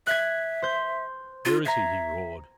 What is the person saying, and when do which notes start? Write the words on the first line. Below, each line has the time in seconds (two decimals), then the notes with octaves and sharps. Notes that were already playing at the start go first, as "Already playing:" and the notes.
"Where is he?" he roared.
0.07 E5 F#6 G#6
0.62 C5 G6
1.45 F4
1.65 E5 A#5 G#6 C7